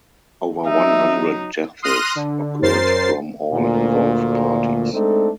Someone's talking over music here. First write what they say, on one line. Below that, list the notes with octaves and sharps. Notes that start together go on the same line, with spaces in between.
Over one hundred deaths occurred from all involved parties.
F#3 D#4 E5
C6 D#6 F6 F#6 A#6 D#7
D3
F#2 A#4 C5 A6 C7
D2 A#2
G#3 A3 C4 D4 D#4 A4